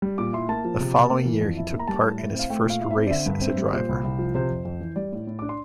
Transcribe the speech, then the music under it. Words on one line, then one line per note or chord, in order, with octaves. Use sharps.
The following year he took part in his first race as a driver.
G3
A#2 D6
E4 C6
A#3 A5
F3
C3
C3
A#3
E3
F2
E4
A#3
A#5
G3 A5
A2
E4
C4 F5
A3 G5
A#2
F5
E4
E5
C4
D5
D3 E5
G2
C4
G3
A#2 C5
C2
C2
F3
C3 C5
F2
F2
E3
G3 D5
A2
A2
D4 D6
C6